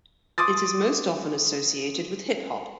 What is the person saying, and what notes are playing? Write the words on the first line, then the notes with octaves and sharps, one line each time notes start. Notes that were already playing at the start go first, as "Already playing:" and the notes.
It is most often associated with hip hop.
C6 D6 D#6 A6